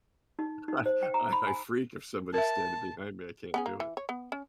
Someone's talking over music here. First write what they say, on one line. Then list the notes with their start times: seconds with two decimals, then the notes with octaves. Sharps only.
I I I freak if somebody's standing behind me. I can't do
0.39 D#4
0.68 D#4
0.86 C5
1.03 G5
1.14 A#5
1.33 B5
1.47 G#5
2.34 A#4 E5 A5
3.54 B3 C#4 G#4
3.66 A#3
3.80 E3
3.97 C#5
4.09 B3
4.32 C#4